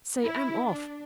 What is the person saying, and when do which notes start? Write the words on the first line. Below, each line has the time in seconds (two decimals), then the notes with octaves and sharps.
Say, I'm off!
0.23 E4
0.67 D4